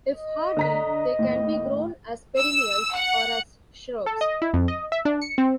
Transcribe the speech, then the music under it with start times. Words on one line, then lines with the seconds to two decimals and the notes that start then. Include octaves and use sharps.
If hardy, they can be grown as perennials or as shrubs.
0.13 D#5
0.57 D3 A#5 B6
1.19 D#2 A2
2.36 E6
2.95 F#5
4.06 A4
4.21 D#5
4.42 E4
4.53 F2
4.68 D#5
4.92 E5
5.05 D4
5.22 C#7
5.38 C4